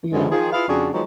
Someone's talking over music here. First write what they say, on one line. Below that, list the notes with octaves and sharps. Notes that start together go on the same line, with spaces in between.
You know?
F#2 C#3 E3 F3 G3 G#3
D#3 F3 G#4
E4 F4 G#4 B4 F5
F2 C#3 D4 F#4 G#4
D#3 F3 F#3 G#3 B3